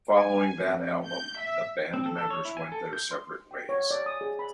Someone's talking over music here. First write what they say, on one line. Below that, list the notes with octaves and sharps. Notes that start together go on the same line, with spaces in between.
Following that album, the band members went their separate ways.
G#5
F2
G6
E5
C4
A4
A4
C#5
E4
G#5
A4
G6
C6
G5
C#5
D5
D#6
G#4
B5